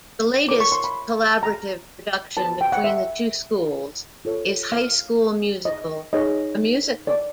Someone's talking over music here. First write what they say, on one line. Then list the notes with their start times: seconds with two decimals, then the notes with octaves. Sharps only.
The latest collaborative production between the two schools is High School Musical: The Musical!
0.49 F4 A#4 C#5 D6
0.60 C#6
0.72 C6
0.84 B5
1.43 A#5
2.37 F#4 B4 A5
2.61 G5
2.72 F#5
2.84 E5
4.25 F4 A4 C#5
4.72 F5
5.65 D#5
6.13 D#4 G#4 C#5 D#5
7.07 D5